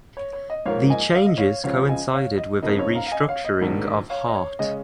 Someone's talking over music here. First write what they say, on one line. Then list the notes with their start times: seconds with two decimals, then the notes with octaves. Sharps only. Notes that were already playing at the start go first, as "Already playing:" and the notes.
The changes coincided with a restructuring of Heart.
0.17 C#5
0.33 C#5
0.50 D#5
0.66 G#2 F3 A#3 C#5 F5
0.90 D#5 G#5
1.15 F5
1.26 D#5
1.37 C#5 F5
1.64 C#2 C#3 F3 C#5 F5
1.89 D#5 G#5
2.13 C#5 F5
2.38 D#5
2.62 F2 C#3 A#3 D#4 D#5
2.79 C#5
2.95 F5 A#5
3.06 F5
3.12 D#5 G#5
3.28 C#5 F5
3.45 D#5
3.61 A#1 G#2 D#3
4.10 C#5 F5
4.28 D#5
4.35 C#5
4.59 C#3 G#3 C#4 D#5